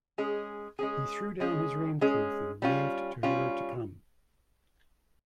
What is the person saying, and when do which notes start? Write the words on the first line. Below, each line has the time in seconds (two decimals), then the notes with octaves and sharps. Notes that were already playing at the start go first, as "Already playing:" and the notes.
He threw down his rainproof and waved to her to come.
0.18 G#3 C#4 G#4
0.79 G#3 C#4 G#4
1.40 G#3 C#4 G#4
2.01 G#3 C#4 G#4
2.62 G3 C#4 F4
3.23 G3 C#4 F4